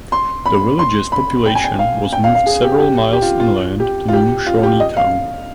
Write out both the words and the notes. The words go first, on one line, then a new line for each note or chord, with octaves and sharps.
The village's population was moved several miles inland to New Shawneetown.
C6
B5
C6
B5
G5
G#5
G5
F5
G5
F5
F5
G#4
G4
G4
G4
F4
F4
G4
F4
G4
F4
G4
D#5
F5